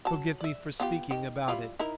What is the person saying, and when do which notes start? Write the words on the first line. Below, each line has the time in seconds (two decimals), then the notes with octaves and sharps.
Forgive me for speaking about it.
0.05 F#3 A5
0.40 D5 E5
0.80 B3 F4 G4
1.11 D#3 G4
1.48 G3 E4 F4
1.79 D#4 E4 A#4